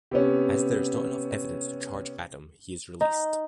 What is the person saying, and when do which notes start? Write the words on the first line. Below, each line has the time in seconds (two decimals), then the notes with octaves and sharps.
As there is not enough evidence to charge Adam, he is released.
0.11 C3 B3 C#4
3.01 D#4